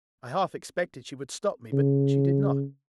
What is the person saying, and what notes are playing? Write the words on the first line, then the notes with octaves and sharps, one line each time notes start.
I half expected she would stop me, but she did not.
C#3